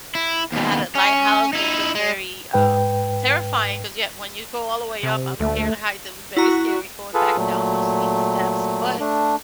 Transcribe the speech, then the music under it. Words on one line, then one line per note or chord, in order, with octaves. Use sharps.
That had a lighthouse, which was very, um, terrifying, 'cause yeah, when you go all the way up- I'm scared of heights- it was very scary going back down those steep steps, but
E4
D#2 B2
C#4
D#4 E4
G#3
G#2 B4 G5
C3
D2 A3
E4 F#4 A#5
F4 G#4 A4 B4
A#2 F#3 A3
A3 D4